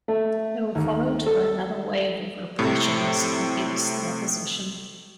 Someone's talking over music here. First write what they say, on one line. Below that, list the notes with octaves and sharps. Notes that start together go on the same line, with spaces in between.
They were followed by another wave of repressions against the opposition.
A3
D#2
A4
A2 C3